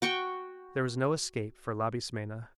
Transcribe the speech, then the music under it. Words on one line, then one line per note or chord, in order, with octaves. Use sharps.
There was no escape for Labismena.
F#4 G5 C#6